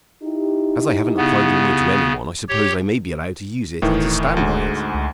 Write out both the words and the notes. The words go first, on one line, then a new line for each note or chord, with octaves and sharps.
As I haven't applied the word to anyone I suppose I may be allowed to use it and to stand by it.
D#4 E4 G4
C#3 B3
G4 C#5
D#1 A2 D#3 E3
D2 G#2 G#3
C#2